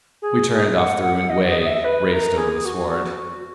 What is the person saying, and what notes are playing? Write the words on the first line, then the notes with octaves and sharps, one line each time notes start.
We turned off the ruined way; raced over the sward.
G#4
G#4
F#5
F#5
D#5
D#5
D#5
E5
B4
A#4
G#4
F#4